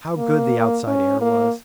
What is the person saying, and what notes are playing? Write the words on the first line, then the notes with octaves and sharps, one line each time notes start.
How good the outside air was!
A#3
C#4
A#3